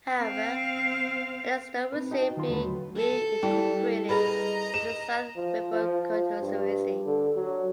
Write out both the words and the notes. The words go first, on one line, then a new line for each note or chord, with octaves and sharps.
However, Eccleston will soon be re-incorporated into the South Ribble constituency.
C4 F5
C4 D#4 B4
D#4 F#4 D#5 G5 A5
D#3 F#3 F4 F#4 C6
D#2 D3 F#3 A3 F#4 B4
A4
G3 E4 G5 A5
G#4 B4 D#5 A#5 B5
E7
F3
F3
F3
G2
D3
F#3